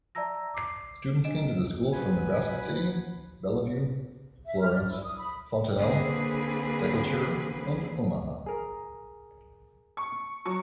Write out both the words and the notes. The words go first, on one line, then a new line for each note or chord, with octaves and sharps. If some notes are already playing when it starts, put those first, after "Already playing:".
Students came to the school from Nebraska City, Bellevue, Florence, Fontanelle, Decatur and Omaha.
D5 E5 A5 A#5 E6 A#6
D6 C7
D4 D#5 D7 E7
F#2 F3 F#3 B4 G#5 B5
E5
F6
D5
E4
D#6
B5
D3 A#3 C4 G#4 B4
G#4 A#4
C#6
F#3 C#6